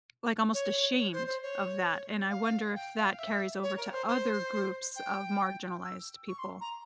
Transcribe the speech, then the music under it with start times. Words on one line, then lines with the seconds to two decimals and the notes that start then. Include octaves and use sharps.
like, almost ashamed of that, and I wonder if that carries over to other groups of marginalized people.
0.54 C#5
0.97 C#5
1.12 C5
1.27 C5
1.42 C#5
2.30 F5
2.75 G5
2.96 F5
3.18 E5
3.62 C#5
3.77 A#4
3.92 C5
4.07 C5
4.95 G5
5.84 E6
6.28 C#6
6.38 C6
6.61 A#5